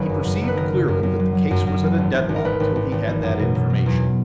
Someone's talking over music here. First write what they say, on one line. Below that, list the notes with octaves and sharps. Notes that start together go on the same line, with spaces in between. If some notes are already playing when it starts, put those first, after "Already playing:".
He perceived clearly that the case was at a deadlock till he had that information.
Already playing: F#1 D#3 F#3 G#4 B4 C#5
F#2
F#2
F#1
B4
D#3 A#4
F#1
F#2
F#2
F#3
F#3
F#2
F#2
E3
G#1
G#1
G#1
A#4
G#1 B4
G#1
G#1
G#1
E3
F#2
B2
B2
F#3
E2